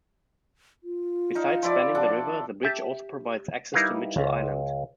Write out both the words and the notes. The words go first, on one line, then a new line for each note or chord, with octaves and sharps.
Besides spanning the river, the bridge also provides access to Mitchell Island.
F4
D#4 F5
F3 E4 D5
D4 A4 F#5
G4 E5 A5
G3 D#4 E4 A#4 B4 F5
C#2